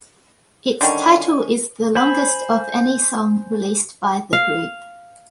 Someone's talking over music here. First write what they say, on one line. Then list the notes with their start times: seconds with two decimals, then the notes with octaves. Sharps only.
Its title is the longest of any song released by the group.
0.81 D3 D#3 G3 C#4
1.95 C5 G#5 B5
4.33 F5